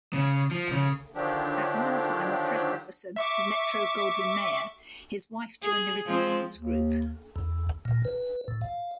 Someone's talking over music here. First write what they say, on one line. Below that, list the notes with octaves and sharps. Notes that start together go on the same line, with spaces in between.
At one time a press officer for Metro-Goldwyn-Mayer, his wife joined the resistance group.
C#3
F3
C#3
D3 D#3 F3 F#3 D4 G4
E5 C#6 D6
G#4
F3 G#3 C4
D#2
E2
A#2
B4
A2
F5